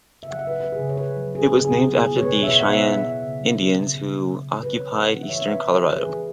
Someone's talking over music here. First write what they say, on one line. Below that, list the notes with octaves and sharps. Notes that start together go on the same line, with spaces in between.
It was named after the Cheyenne Indians who occupied eastern Colorado.
C#3 E5
F#5
F#3 E5
B4
C#4 B4
G#4
C#3
C#5
C#3 B4
F#3
C#4 G#4
C#3
G#4
B2 F#4
B3
G#4
E4
C#5
B4
B2
E5
B2 C#5
F#5
B3
E5
E4
E5
B2
C#3
F#3
C#4
C#3
C#3
F#3
C#4
C#3
B4
E3 C#5
C#4
F#5
E4
E5
E3 C#5
E5
E3 B4
C#4
F#4
E4
B4
G#4
E3